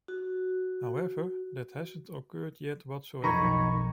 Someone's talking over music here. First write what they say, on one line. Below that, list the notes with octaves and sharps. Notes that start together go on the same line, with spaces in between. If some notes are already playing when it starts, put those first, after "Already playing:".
However, that hasn't occurred yet whatsoever.
F#4
B1 F2 B2 D#3 C#5 A#5 B5 C#6